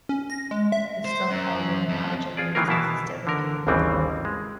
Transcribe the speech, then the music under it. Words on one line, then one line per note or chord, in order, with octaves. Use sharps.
The stump, however, will not regenerate since it is dead organic matter.
C#4
A#6
G#3
E5
C5
F#2
F2
F4 G#4 D5
D#3 E3 A#3 F4 A#4
B2 E3 B3 E4 A#4 A5
D3 A#4
G#1 D#2 C#3 E3 G3 C4
G#3